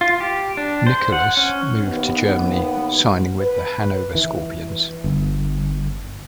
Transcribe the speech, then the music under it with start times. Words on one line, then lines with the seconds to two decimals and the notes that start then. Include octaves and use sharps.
Nickulas moved to Germany, signing with the Hannover Scorpions.
0.01 F4
0.20 G4
0.57 D4
0.87 C5
1.12 F#5
1.37 C#4
1.84 D#2 B3
3.40 B4
4.15 E3
5.04 G1